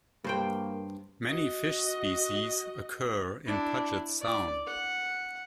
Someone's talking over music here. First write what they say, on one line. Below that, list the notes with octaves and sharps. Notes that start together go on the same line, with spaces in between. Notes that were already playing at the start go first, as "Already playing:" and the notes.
Many fish species occur in Puget Sound.
G2 A#3 C5 G5
F#4 D#5
D4 E4
D5
F#5